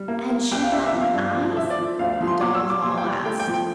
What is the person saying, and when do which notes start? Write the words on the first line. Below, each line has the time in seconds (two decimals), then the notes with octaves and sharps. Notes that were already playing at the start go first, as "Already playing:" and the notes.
"And shoe-button eyes?" the dolls all asked.
Already playing: G3
0.08 A#3
0.30 A#3
0.52 C2 G5
0.62 F5
0.72 D4 E5
0.86 E5
0.93 F3
1.01 F5
1.14 G2
1.35 F3
1.57 F3 E5
1.70 D5
1.78 F3
1.99 D2 F5
2.13 F5
2.21 F3
2.27 C6
2.41 A#2 D6
2.55 E6
2.62 G3
2.70 D6
2.83 A#2 C6
2.97 G5
3.04 G3
3.25 A3 G5
3.40 G5
3.47 F3
3.54 G5